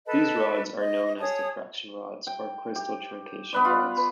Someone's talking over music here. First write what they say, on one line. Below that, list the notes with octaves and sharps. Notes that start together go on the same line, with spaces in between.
These rods are known as diffraction rods, or crystal truncation rods.
A4 B4 D#5 A5
D#5
G#4 C#5 A5 D#6
G5
G4
B3 B4 D5
F4
B4